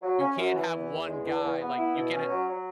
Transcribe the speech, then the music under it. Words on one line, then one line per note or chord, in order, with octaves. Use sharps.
You can't have one guy, like, you can ha
F#3
C#4
F#2
E3
E2
E2
G#3
E2
E2
B3
E4
B2
C#4
F#3
F#3